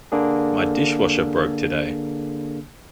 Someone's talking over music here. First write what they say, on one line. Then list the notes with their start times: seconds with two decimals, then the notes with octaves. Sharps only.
My dishwasher broke today.
0.12 D3 A#3 D4 G#4